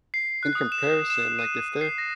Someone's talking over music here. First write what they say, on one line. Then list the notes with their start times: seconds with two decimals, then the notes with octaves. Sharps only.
in comparison, like if they're
0.14 C7
0.43 F#6
0.55 D#6
0.72 E7
1.10 E7
1.39 D#7
1.55 E7
1.81 C7
1.98 A#6